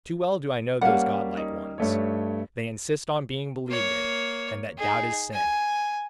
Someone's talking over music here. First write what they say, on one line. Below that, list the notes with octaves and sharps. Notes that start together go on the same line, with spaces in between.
Too well do I know those godlike ones: they insist on being believed in, and that doubt is sin.
G3 A#3 C#4 F5 F#5
D#4
G2 A3 C#5
A#3 C#5
D#4 G#4
G#5